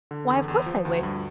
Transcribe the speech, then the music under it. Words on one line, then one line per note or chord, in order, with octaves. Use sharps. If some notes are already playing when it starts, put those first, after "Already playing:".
'Why, of course I would.
D3
E2
E2
F3
D2
G2